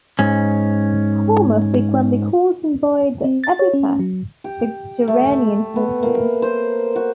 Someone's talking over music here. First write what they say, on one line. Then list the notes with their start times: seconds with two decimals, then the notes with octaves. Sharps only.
Homer frequently calls him by the epithet the Gerenian horseman.
0.19 G#2 C#4
3.25 C4
3.44 A6
3.59 C#5
3.74 C#4
3.99 F#3
4.44 G4
5.08 A3
5.76 B3
6.03 A#3
6.42 C5
6.96 F#4